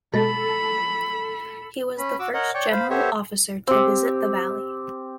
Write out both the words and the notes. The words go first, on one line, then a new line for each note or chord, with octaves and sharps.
He was the first General officer to visit the valley.
B2 G#3 A4 B5 A6
C#4 B5
F#4 D6 E6
A#4 C#5 D#5 F#5
C#5 D5 G5 C#6
C5 F5 B5
B3 G4 A4 C5 C#5 E5
C4 G4